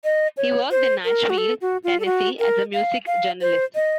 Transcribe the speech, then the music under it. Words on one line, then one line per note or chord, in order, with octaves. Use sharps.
He worked in Nashville, Tennessee, as a music journalist.
D#5
C#5
C5
A#4
F#4
A4
F#4
F4
A4
F#4
A#4
F5
F5
C5
D#5